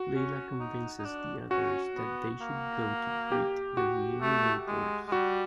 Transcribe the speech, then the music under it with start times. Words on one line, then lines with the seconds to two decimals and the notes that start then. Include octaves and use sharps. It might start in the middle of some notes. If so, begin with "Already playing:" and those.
Leela convinces the others that they should go to greet their new neighbors.
Already playing: F#4
0.15 C#4
0.60 D#4
0.99 D#4
1.05 D4
1.50 C#4 F#4
1.96 B3
2.41 A#3
3.32 G4
3.77 F#4
4.22 A3
4.68 G#3
5.08 G#3
5.12 G3 F#4